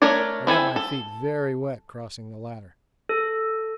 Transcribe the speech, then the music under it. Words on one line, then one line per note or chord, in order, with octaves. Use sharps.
I got my feet very wet crossing the latter.
A3 D4 A#4 C#5 D5
C4 E4 A4 G#5
A4
A4